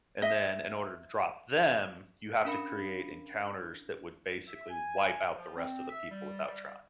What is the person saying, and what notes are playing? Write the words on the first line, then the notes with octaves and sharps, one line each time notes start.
and then in order to drop them, you have to create encounters that would basically wipe out the rest of the people without trying.
D#5 E5
C#4 D4 A#4 F5 B5 C#7
E5
G#5
F3
C4
E5
G3
G3